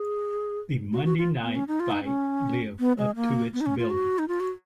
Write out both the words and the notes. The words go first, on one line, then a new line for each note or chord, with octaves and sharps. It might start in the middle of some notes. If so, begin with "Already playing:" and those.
The Monday night fight lived up to its billing.
Already playing: G#4
F#4
F#4
F4
B3
C#4
D#4
F4
D#4
C#4
B3
G#3
A#3
B3
D#4
C#4
F4
F#4
D#4
F4
F#4